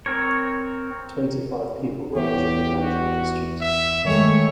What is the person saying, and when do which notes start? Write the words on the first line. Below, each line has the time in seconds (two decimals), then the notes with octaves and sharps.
Twenty-five people were injured in Lamjung District.
0.06 C4 A#4 C#5
2.15 E2 G4 C#5
2.81 F#4
3.61 E5
4.05 D#3 G#3 A3 C#5